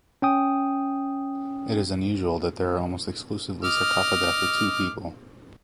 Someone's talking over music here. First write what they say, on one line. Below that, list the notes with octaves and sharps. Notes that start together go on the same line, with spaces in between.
It is unusual that there are almost exclusively sarcophagi for two people.
C#4 G5 D#6
D#5 D6 F6